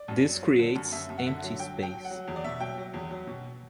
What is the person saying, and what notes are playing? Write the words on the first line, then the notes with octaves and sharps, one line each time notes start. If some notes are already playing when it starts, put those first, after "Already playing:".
This creates empty space.
Already playing: D5
F#2
F#3
F#3
D3
F#2
F#2 E5
F#2
F#5
D3 E5
F#3
F#3 G5
F#3
G5
F#3
F#5
F#3
E2
D5
B2 E5
F#3 G5
F#3
E2
F#3
B2